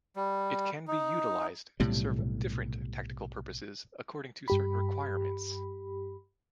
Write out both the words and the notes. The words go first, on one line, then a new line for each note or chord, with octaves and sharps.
It can be utilized to serve different tactical purposes according to certain requirements.
G3
D#4
B1 A2 C3 G3
G2 G4 B5